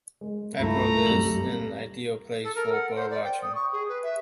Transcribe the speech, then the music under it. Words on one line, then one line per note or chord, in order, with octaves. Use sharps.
Eyebrook is an ideal place for bird watching.
G#3
C2 G2 A3 C#4 E4 F4 A#5
F#2 G3 C4 F#7
A4
A#4
F#5
C5
D5
G5
D#6
C#6
G#4
B4
E5